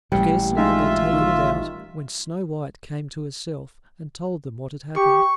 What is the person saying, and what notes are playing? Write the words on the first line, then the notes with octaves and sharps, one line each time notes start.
Scarcely had they taken it out when Snow-white came to herself, and told them what had happened.
A1 A#2 G3
G#3 D#4 F4 E5
D#3
G4 C#6